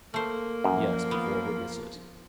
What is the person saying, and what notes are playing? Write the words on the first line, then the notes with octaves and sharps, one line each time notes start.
"Yes, before witnesses."
A3 A#3 C5
F#2 F3
B3